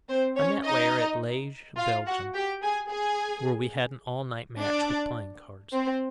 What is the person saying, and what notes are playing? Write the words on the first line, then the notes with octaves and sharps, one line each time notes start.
I met Weyer at Liege, Belgium, where we had an all-night match with playing cards.
C4 C5
C#4 C#5
D#4 D#5
F4 F5
F#4 F#5
G4 G5
G#4 G#5
G#4 G#5
D4 D5
C4 C5